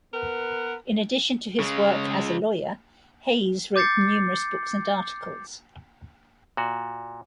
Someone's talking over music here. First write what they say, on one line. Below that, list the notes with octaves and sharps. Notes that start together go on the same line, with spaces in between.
In addition to his work as a lawyer, Hays wrote numerous books and articles.
B3 A#4 B4 F#5
C#3 G#3
D6 G6 A6 C7 C#7
A#2 F#4